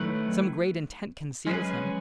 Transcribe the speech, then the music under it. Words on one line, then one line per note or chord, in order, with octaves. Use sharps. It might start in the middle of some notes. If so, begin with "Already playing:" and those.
Some great intent Conceals him.
Already playing: D#3 F#3 A3 E4 B4
F#3 G#3 C#4 G#4 B4
F#3